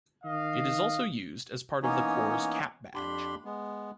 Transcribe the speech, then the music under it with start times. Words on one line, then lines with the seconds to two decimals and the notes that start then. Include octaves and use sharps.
It is also used as part of the Corps' cap badge.
0.24 D#3 D#5 F5
1.83 E3 A#3 B3 C#4 D#4 C#5
2.95 F2 D4 G4 B5 C6
3.45 G#3 B3